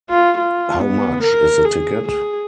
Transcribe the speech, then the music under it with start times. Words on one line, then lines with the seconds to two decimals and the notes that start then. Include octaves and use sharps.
How much is the ticket?
0.10 F4
0.38 F4
0.81 B3
1.24 A#4
1.65 G#4
2.08 G#4